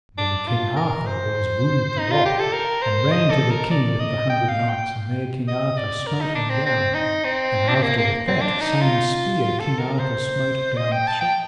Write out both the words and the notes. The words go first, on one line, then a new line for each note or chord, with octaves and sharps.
And then King Arthur was wood wroth, and ran to the King with the Hundred Knights, and there King Arthur smote him down; and after with that same spear King Arthur smote down three other knights.
D4
F4
A#4
C5
D#4
F4
G4
A4
A#4
C5
D#5
A4
A#4
D5
D#5
G5
F5
G5
D#5
D5
A#4
D#4
D4
C4
C4
D#4
C4
D4
C4
A#3
A#3
C4
D4
D#4
F4
A4
A#4
C5
D#5
G5
A5
G5